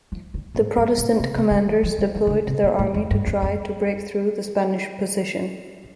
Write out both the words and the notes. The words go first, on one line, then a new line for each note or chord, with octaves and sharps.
The Protestant commanders deployed their army to try to break through the Spanish position.
F3
D3
A2
G2
A#2
C3
C3
D3
E3
F3
G3
E3
E3
D3
C3
A#2
A2
F2
G2
F2
F2